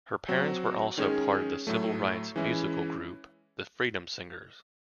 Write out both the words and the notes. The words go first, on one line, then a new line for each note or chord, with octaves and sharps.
Her parents were also part of the civil rights musical group The Freedom Singers.
F#3 C4 F#4
D#3 G#3 C#4 G#4
A2 F#3 A3
E3 G#3 C#4 E4